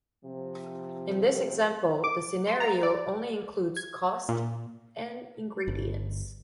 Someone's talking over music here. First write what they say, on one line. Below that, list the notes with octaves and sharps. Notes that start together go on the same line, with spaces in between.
In this example, the scenario only includes cost and ingredients.
C3 F3
D6
C6
A#5
D5
G#6
A#2
G1